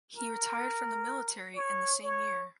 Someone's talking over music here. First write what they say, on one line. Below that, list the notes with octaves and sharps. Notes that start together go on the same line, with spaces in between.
He retired from the military in the same year.
A#4
C#5
C#5